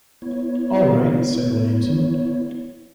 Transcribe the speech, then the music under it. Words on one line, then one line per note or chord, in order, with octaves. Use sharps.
"All right," said Williamson.
B3 E4 C#5